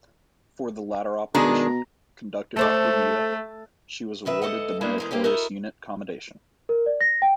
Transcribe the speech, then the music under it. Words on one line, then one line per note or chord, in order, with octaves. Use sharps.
For the latter operation, conducted off Bermuda, she was awarded the Meritorious Unit Commendation.
B2 D#3 G#3 D4 A#5
A3 A4 C5 D5
C3 D#3 B4 E5
D2 A4 D#5 F#5
G#3 A#3 B3 C#4 D4 E4
E2 G#3 A#4
A#3 C4 C#4 G4
D#4 E4 F#4 A4 A#4
A#4
D5
A#6
G5